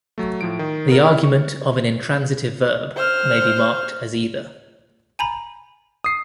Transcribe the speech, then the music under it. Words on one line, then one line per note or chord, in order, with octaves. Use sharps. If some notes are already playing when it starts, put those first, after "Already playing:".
The argument of an intransitive verb may be marked as either.
F#3 A3
A2 F3 D7
D#3
B3 A#4
E4 D#5 F6
C#6
C5 F6
G#5 A#5 B5
D#6 C7